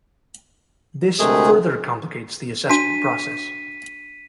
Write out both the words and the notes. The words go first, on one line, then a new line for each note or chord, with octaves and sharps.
This further complicates the assessment process.
D2 C3 G#3 A3 G#4 A#4
D4 F#4 A5 B6 D#7